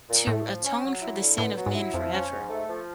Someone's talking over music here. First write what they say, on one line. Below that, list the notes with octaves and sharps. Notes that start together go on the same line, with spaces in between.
to atone for the sin of men forever,
A#2
A2 A3
F3
C#4
F#3
E4
D3
A2 B3
F#3
G#2
E4
F2 F3
C#4
G#2
A3
F3